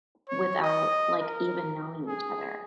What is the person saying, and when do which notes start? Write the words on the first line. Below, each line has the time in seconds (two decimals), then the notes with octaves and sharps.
without, like, even knowing each other.
0.29 C#5
0.62 D#5
1.21 A#4
2.07 G#4